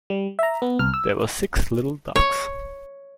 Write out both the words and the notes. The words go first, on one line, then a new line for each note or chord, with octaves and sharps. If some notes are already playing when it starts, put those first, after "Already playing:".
There were six little ducks.
G3
E5 A#5
B3
C2 F6
E6
C#5